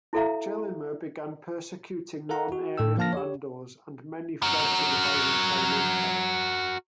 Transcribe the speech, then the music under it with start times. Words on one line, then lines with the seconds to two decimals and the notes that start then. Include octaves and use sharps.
Gelimer began persecuting non Arian Vandals, and many fled to the Byzantine Empire.
0.13 E4 F#4 A4 E5 F5 A#5
2.29 A4 A#4 F5 F#5 A#5
2.52 F#4
2.78 A2 A4 G5 E6
2.97 F3 A#3 F5 A5 F6 A#6
3.13 G4 C#5
4.42 F#4 A#4